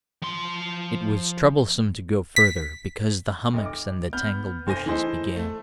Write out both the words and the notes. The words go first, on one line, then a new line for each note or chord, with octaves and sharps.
It was troublesome to go further because the hummocks and the tangled bushes began.
F3 C6
B6
F1 D#5
D6
B3 F6 G6
F1 C5 G#5 A#6 D#7
E3 A3 E4 G#4 C5 D#5
A3